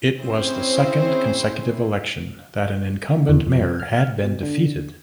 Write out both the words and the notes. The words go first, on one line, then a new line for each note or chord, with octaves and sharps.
It was the second consecutive election that an incumbent mayor had been defeated.
C4 C#4 E4 G#4 C5
A#3
E2
F2
F6
B2
D3